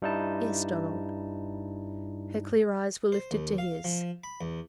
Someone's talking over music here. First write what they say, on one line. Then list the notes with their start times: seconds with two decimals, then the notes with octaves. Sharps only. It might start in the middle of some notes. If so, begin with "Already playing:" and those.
"Yes, Donald." Her clear eyes were lifted to his.
0.02 G2 G3 D#4 E4 A5
3.12 C5
3.31 D#2
3.58 F5
3.84 F3
4.24 B5
4.41 E2